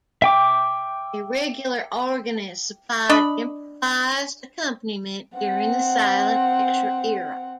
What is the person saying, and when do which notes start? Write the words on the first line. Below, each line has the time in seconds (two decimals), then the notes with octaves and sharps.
A regular organist supplied improvised accompaniment during the silent picture era.
0.22 E5 G5 D6
3.09 D4 D#5 B5
5.35 C4 F#5